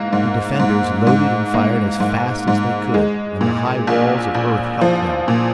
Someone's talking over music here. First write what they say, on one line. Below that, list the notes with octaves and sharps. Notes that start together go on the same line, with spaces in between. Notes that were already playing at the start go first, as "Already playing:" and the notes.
The defenders loaded and fired as fast as they could and the high walls of earth helped them.
Already playing: G#2 A#3
G#2
G#2
G#2
A#3
G#2
G#2
G#3
A#2
A#1
A#1
F3
A#2